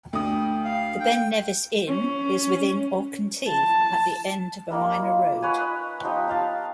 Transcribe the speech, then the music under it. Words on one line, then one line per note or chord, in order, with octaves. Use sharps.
The Ben Nevis Inn is within Achintee, at the end of a minor road.
D2 G5 D#6
F5
F5 G5
C#4
A5
G3 A#3 D#4 E5
F4
B4 C#5 F#5 G#5
D#5 B5
F3 B3 D#4 G4
G4 F5 A5